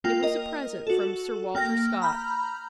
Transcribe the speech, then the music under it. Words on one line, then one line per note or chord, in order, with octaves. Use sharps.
It was a present from Sir Walter Scott.
A#3 F4 G5
A#4 D#5
F#4 A4
A#3 G5 F6 A#6
A#5 B5 F6 G6